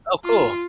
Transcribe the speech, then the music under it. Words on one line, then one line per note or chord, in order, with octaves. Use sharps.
Oh, cool.
F4